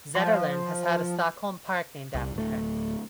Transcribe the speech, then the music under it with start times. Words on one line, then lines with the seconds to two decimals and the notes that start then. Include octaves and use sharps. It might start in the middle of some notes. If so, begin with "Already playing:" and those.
Zetterlund has had a Stockholm park named after her.
0.15 F3
2.15 C2
2.34 D1 A3